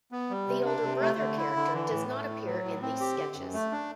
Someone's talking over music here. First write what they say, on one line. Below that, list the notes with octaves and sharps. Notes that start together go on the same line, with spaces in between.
The older brother character does not appear in these sketches.
B3
G3
C3
D4
C3
A3
D3
E4
D3
E3
A2
A3
A2
F#3
A2
C4
G4
D3
F#2
A3
D4